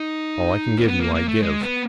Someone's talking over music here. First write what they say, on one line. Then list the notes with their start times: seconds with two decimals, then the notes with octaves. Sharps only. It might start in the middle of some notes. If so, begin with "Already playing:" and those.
All I can give you I give.
Already playing: D#4
0.78 A#3
0.87 B3
1.00 A#3
1.14 A#3
1.28 A3
1.42 G#3
1.61 B3